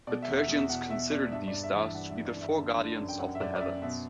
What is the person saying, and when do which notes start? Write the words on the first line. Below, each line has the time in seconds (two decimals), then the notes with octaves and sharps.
The Persians considered these stars to be the four guardians of the heavens.
0.07 B2 D5
0.22 E5
0.28 E2
0.38 E5
0.49 E2
0.54 E5
0.69 B2 F#5
0.90 B2 E5
1.11 B2 D5
1.32 G2 E5
1.48 D5
1.53 G2
1.64 E5
1.74 E3 E5
1.94 G2 F#5
2.10 E5
2.15 E3
2.26 D5
2.36 G2 E5
2.57 D3
2.77 D3
2.99 F#2
3.09 G5
3.19 F#2 F#5
3.35 E5
3.40 F#2 D5
3.56 D5
3.61 F#2 E5
3.82 B2 E5